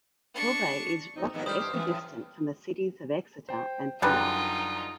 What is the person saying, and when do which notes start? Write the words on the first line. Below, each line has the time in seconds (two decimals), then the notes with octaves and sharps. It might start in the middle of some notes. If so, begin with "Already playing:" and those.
Torbay is roughly equidistant from the cities of Exeter and Plymouth.
0.34 D4 C#6
1.16 A2 C4 D#4
1.34 F2 G#2 D#3 A#3 B3
1.46 G3 G4 C5 D#6 F6
1.60 G2 E3 G4 C5
1.73 E3 F3 G3 B3 C#4
1.87 A2 F3
3.49 C5 G5
4.02 F#2 D3 G3 D#4 F4 B4 G#5 A#5